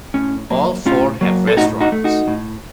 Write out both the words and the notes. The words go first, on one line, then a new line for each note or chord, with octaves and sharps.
All four have restaurants.
A2 C#4
F#3 A#3
A2 C#4 F4
F#3 A#3
A4
A2 D#4 F#4
D#4 F#4
A3
D#4 F#4
A2